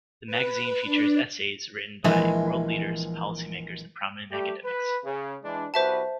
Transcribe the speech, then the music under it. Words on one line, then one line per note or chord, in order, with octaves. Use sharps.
The magazine features essays written by world leaders, policy makers, and prominent academics.
B4
D4
A#1 E3 G#3
G3 A3 G4
B4
C#3
E3 G#3 D4
C2 F#4 B4 C5 E5 A5